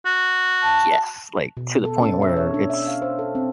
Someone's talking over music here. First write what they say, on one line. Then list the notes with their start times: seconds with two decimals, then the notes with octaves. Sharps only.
Yes. Like, to the point where it's
0.06 F#4
0.62 A5
1.57 B2
1.85 A4
2.01 C#4
2.22 E5
2.37 C#5
2.54 D4
2.70 E5
2.88 F5
3.02 C5
3.19 A4
3.35 C4